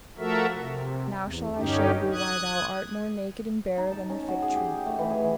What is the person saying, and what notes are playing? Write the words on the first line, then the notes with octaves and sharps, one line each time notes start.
Now shall I shew thee why thou art more naked and barer than the fig tree.
F3 A3 F#4 A4 A#4 E5
C3
E2
G2 D3 C#4 D#4 G4
D#6 F#6 G#6
D#4
A5
C#4
F#4
G#4
G4
G#4
A3
E3
G#4
E3